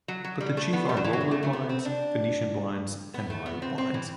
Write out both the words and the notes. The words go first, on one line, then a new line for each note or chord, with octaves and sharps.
But the chief are roller blinds, Venetian blinds, and wire blinds.
F#3
F#3
G3
A3
B3
G3
F#3
E3
F#3
B3
A3
A3
B3
C4
D4
B3
A3
B3
C4
C4
E3